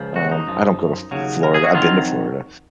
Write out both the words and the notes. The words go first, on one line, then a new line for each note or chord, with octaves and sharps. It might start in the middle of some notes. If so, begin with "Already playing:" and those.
um, I don't go to Florida. I've been to Florida,
Already playing: C#2 C#3 F3
F#4
D#4
F#2 F3
D#2 C#3 F#3
A#4
G#4
F#4
F2 D#3 F#3 F4